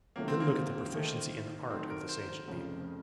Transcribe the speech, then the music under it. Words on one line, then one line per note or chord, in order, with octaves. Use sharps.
Then look at the proficiency in art of this ancient people.
C#2 C3 D#3 F#3 A3 A#3
C4
A#3
D#3 A3 D#4 A4 C5
D#3 F#3 A3 C4
A#4
C5
C5
F1 F2 C#3 F3